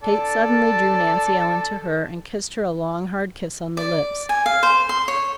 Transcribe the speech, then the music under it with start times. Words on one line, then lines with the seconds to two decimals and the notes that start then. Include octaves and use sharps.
Kate suddenly drew Nancy Ellen to her and kissed her a long, hard kiss on the lips.
0.03 A4 D5
3.77 D5
4.29 G#5
4.46 F5
4.63 C5
4.89 C6
5.08 C#5